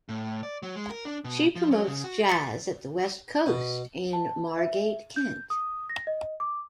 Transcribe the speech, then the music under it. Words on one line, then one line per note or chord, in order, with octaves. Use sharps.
She promotes Jazz at the Westcoast in Margate, Kent.
A2
D5
F#3
G#3
A#4
D4
B2
F3
F#3
C#3
F#4
A6 B6 C#7
B2
A5
E5
G6
D#6
A#6
D#5
D6